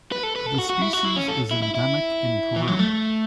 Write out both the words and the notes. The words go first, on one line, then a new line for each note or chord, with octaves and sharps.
The species is endemic to Peru.
B4
A4
B4
A4
F#4
F#4
E4
F#4
E4
C#4
A4
E4
E4
E4
E3
F#3
A3